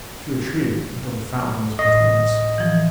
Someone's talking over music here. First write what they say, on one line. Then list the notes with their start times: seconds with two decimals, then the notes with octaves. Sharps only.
She retreated until the fountain was between us.
1.79 A2 D#5
2.58 E3 F3